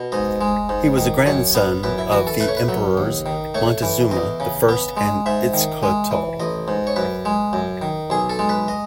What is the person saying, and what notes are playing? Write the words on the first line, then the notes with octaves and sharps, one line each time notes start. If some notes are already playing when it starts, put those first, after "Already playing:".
He was a grandson of the Emperors Moctezuma the First and Itzcoatl.
Already playing: B2
G#2 D#5
G#3
G#2
D#3
F#2 C#5
B3
F#2 B4
E4
E3 F#4
A4
A3 B4
C#5
B4
F#3
D#2
D#3
A3 C#5
E3
E2 D#5
C#3
B3
G#3
G#2 E5
D#3
G#3
E3
A1 D#5
G#2
C#5
F#2 B4
G#3
F#2
D#3
B1 G#4
A4
G#3
B4
D#5